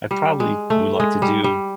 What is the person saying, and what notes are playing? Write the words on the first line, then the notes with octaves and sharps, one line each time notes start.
I probably would like to do
G3
G#3
A3
G#3
G3
G3